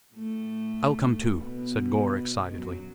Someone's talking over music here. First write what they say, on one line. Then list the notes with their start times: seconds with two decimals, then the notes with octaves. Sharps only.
"I'll come too," said Gore, excitedly.
0.15 A2 A3
1.35 B2 B3
2.54 F#2 F#3